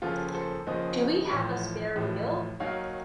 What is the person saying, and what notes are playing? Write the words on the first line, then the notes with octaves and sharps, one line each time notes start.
Do we have a spare wheel?
D#2 C#3 F3 F4 A4
A4 C5
D#2 C#3 F3 C5 D#5
A1 A2 F3
A1 A2 F3
D#2 D#3 F#3 C#5 F5